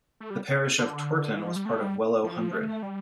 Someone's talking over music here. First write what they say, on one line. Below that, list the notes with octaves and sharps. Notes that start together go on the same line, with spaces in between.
The parish of Twerton was part of the Wellow Hundred.
A3
G3
D3
E3
F3
G3
A3
G3
F3
A3
G3